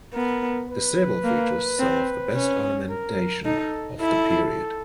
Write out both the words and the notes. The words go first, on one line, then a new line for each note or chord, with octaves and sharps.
The sebil features some of the best ornamentation of the period.
B3 A#4
B4
A#3
C4
C#4
A#4
D#4 A4
E4 A4